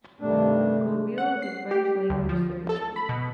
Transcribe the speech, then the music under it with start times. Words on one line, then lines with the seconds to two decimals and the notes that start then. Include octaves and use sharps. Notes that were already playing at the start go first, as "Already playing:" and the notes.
Gobeil is a French language surname.
0.21 G2 C3 D#3 A3 D4
1.18 F#5
1.42 C7
1.71 G4
2.10 D2
2.29 F3
2.69 A4
2.96 B5
3.09 B2